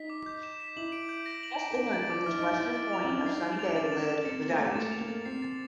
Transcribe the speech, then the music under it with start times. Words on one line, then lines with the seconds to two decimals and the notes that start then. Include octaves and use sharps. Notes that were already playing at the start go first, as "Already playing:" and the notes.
Just inland from this western point of Sunny Bay lived the Dykes.
Already playing: D#4 B6
0.10 D6
0.26 G6
0.43 E7
0.60 B6
0.76 E4 F#7
0.92 D7
1.09 G6
1.26 A#6
1.43 F#7
1.59 D7
1.71 D#4
1.76 D4 D7
1.93 A6
2.10 D6
2.26 E4 F6
2.38 D#4 D7
2.52 E4
2.60 A6
2.76 A6
2.93 F7
3.04 C4
3.09 C#4 A6
3.18 D4
3.26 D#4 C7
3.43 A6
3.59 F7
3.67 D4
3.76 C#4 A6
3.92 E7
4.09 A6
4.25 C4 C#7
4.42 A6
4.50 A#3
4.59 A3 E7
4.67 A#3
4.75 A3 A6
4.91 F7
5.01 A#3
5.08 A6
5.25 C4 C7
5.42 A6